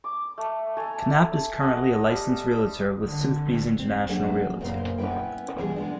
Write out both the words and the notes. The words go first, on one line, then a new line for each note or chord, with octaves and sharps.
Knapp is currently a licensed realtor with Sotheby's International Realty.
D6
A3
A3 A4 G#5 A#5
D#5 F#5
G3
D3
C4
F#3 A3 A#3 C#4 D4 G#4
F#2 A#2 C#3 B3 A#4 C5
B3 C#4 E4 B4 G5
B2 E3 G3 F4 G4 G#4
G#3 B3 D4